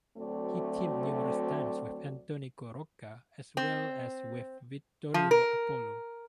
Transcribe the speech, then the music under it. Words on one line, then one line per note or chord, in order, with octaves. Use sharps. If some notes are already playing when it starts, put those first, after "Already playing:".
He teamed numerous times with Antonino Rocca, as well as with Vittorio Apollo.
D2 F#3 A3 C4 D5
C4
F3
A#4